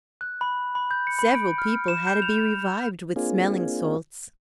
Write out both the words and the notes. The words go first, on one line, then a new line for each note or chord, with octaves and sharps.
Several people had to be revived with smelling salts.
F#6
B5
B5
G6
C#7
B5
D7
F6
E7
G6
F7
A#3 C4 D4 F4 G#4